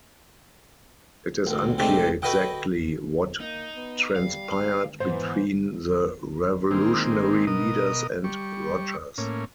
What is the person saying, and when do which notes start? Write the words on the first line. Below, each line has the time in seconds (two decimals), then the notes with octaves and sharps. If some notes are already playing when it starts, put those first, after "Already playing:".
It is unclear exactly what transpired between the revolutionary leaders and Rogers.
1.47 A1 D2
1.78 G#2 C3 A3 C4 D4 D#4
2.22 F#4 A4 B4 D#5 F#5 G5
3.40 A#3 D#4
3.75 B3
4.16 G3 F5
5.00 G#2 E3 B3 C5
6.71 D#3 G#3 A#3 C4
7.47 B2 A#4 D#5 D#6
8.24 G3 C#6
9.18 A2 A#3 C#4